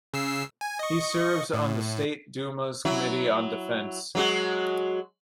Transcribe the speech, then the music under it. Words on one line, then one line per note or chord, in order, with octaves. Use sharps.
He serves on the State Duma's Committee on Defense.
C#3 E6 C7
G#5
D#5 C#6
A2
F#3 E4
F#3 G#3 F#4